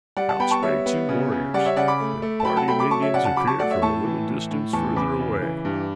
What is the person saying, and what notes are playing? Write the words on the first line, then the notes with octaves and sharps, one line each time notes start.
Out sprang two warriors, and a party of Indians appeared from a little distance further away.
G3 D5 F#5
F#5 A5
B3 G5 B5
A5 C#6
G3 C#5 E5
B3
C#3
C#3
G3 D5 F#5
C#5 E5
C#3 D5 F#5
B5 D6
A3
A3
A5
F#3 G5 B5
F#5 A5
A3 G5 B5
B5 D6
F#3 A5 C#6
C#5 E5
C#3 D5 F#5
F#5 A5
F#3 B5 D6
A5 C#6
A3 D5 F#5
C#5 E5
A2 A5 C#6
E3
A2
A2
E2 A5 C#6
E2 B5 D6
C#3
E3
G2